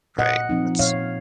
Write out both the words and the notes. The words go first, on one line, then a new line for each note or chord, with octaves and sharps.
Right. That's
A#2 D#5 F#5
F3 C4 D#4
A#2 C#5 F5